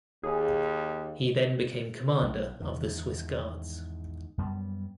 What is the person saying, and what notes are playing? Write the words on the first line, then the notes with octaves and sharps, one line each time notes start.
He then became commander of the Swiss Guards.
D#2 G#4
B1
E2 G#2 D#3
F#2 G3 A#3 B3